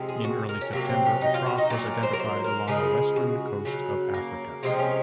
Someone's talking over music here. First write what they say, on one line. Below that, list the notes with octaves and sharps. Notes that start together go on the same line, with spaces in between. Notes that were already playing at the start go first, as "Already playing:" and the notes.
In early September, a trough was identified along the western coast of Africa.
Already playing: C3 F3 G#3
G#4
F#4
A#4
C#4
C3 F#3 A#3
C4
C#4
D#4
F4
F#4
D#4
A#2 F#3
A#4
C5
A#4
C5
A#4
C#3 F3 G#3 G#4
F#4
C#3 F#3
A#3
C3 F3 G#3 C4
C#4